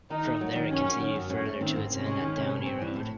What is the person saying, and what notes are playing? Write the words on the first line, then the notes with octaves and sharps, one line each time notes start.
From there, it continued further to its end at Downey Road.
D#3 D#4
A3
F#3
D#3
F#2 C#4
F#3
D#3
F#2
G#2 C#4
A3
D#3 C4
G#2
C3 C#4
G#3
D#3
C3
A2
C4
E3
A2